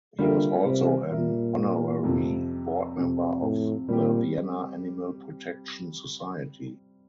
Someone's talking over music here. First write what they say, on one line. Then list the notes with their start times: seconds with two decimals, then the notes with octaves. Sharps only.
He was also an honorary board member of the Vienna Animal Protection Society.
0.19 D3 G3 A#3 F4 A#4 E5
0.65 C3
1.11 A#2 G3 A#3 F4 A#4 E5
2.03 F2 C3 F3
2.96 F2 C3 F3
3.42 A2
3.89 A#2 G3 C4 G4